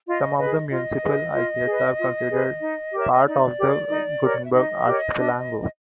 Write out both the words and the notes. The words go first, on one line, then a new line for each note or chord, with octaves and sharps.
Some of the municipal islets are considered part of the Gothenburg archipelago.
F4 D#5
G#4 B4 D#5
F4 D#5
G#4 B4
F4
G#4 B4
F4
G#4 B4
D#4
G4 A#4 C#5 E5
D#5
D#4 D5
G4 A#4 C#5
D#4
G4 A#4 C#5
E5
D#4 D#5
G4 A#4 C#5
D4